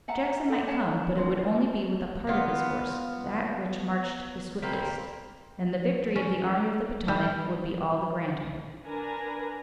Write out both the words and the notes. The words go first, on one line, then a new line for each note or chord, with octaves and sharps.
Jackson might come, but it would only be with a part of his force, that which marched the swiftest, and the victory of the Army of the Potomac would be all the grander.
E5 F#5 A5 A#5
A4 D5 E5
C#4 C#5 A5 A#5
C#4 F4 C5
B3 F4
G3 A#3 C4
C#4
G3
D4 A#4 B4 G#5 A#5